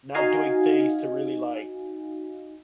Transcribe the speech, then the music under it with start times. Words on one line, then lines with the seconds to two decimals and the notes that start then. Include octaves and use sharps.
not doing things to really, like,
0.15 D#4 F#4 D#5 F5 G#5